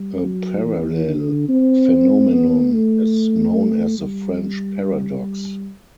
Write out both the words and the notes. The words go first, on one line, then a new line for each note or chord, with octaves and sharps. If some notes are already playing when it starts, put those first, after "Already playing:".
A parallel phenomenon is known as the French Paradox.
Already playing: G3
F#3
E3
D3
C4
B3
A3
G3